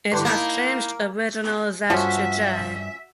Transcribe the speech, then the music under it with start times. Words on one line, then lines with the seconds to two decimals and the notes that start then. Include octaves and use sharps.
It has changed original "z" to "j".
0.12 G2 D3 E3
0.25 A#3 D#4 E4 A5
1.90 G2 F3 A3 C#4 F#4 E5